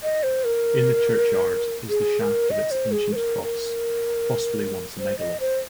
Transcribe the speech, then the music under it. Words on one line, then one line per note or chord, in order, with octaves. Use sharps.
In the churchyard is the shaft of its ancient cross, possibly once a megalith.
D#5
C5
A#4
G#4
A#4
D#5
C5
G#4
C5
A#4
A#4
C5
D#5
C5